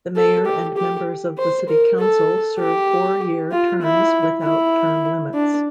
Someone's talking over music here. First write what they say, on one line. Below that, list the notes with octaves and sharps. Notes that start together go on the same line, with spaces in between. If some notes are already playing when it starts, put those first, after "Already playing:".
The mayor and members of the city council serve four-year terms without term limits.
A4
G4
G4
C5
A#4
A4
G4
F4
E4
E4
D4